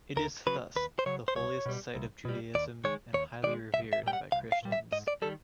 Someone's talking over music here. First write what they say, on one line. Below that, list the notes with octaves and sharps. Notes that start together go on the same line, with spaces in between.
It is thus the holiest site of Judaism and highly revered by Christians.
D#2 A#4
C#3 F#3 B4
D#2 B4
C5
C#3 F#3 C#5
C5
C2 C#5
B2 G3
C2
B2 G3
D#2 D5
D#3 G#3 C#5
D#2 C#5
D#3 G#3 D5
C2 E5
E5
A#2 G3 G5
F#5
C2 F5
F5
A#2 G3
E5
G#2 D#5
D5
D#3 G3 A4